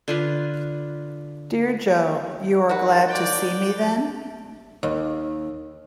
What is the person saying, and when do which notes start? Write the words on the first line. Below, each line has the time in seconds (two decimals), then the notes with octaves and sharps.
Dear Jo, you are glad to see me, then?
0.08 D3 F4 B4
2.69 D#3 F#4 B4 F#5
3.09 D5 G5
4.83 D#2